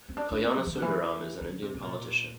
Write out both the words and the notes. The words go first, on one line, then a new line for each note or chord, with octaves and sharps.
Kalyanasundaram is an Indian politician.
C4
D4
D4
C4
F3
E3
D3
E3
D3
C3
C3
A#2